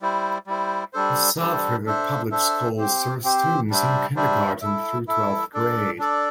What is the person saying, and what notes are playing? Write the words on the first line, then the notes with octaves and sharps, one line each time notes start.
The South River Public Schools serve students in kindergarten through twelfth grade.
G3 E4 C5
G3 E4 C5
G3 D4 A4 C5
G3 D4 A4 C5
D4 A4 C5 E5
D4 A4 C5 E5
C4 G4 C5
C4 G4 C5
G3 D4 C5 E5
G3 D4 C5 E5
E4 A4 E5
E4 A4 E5
D4 A4 D5
D4 A4 D5